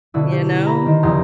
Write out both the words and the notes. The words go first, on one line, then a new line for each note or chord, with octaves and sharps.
You know?
B2 D3 E4
G4
A#5 B5
D#3 C5
F1 E2 C#3 G4 A#5 C6